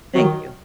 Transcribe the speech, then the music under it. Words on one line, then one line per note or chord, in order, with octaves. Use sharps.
Thank you.
D#3 F#3